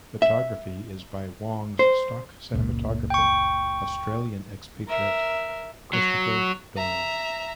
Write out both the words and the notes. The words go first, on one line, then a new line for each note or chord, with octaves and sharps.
Photography is by Wong's stock cinematographer, Australian expatriate Christopher Doyle.
E5
C5
F#1 C#2 A#2
G5 C#6
A#4 E5
F#3
E5 A#5